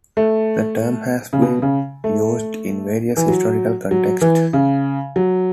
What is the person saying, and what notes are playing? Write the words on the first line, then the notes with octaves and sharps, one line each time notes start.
The term has been used in various historical contexts.
A3
C#3
B2
C#3
A3
E3
F#3
F#3
E3
C#3
F#3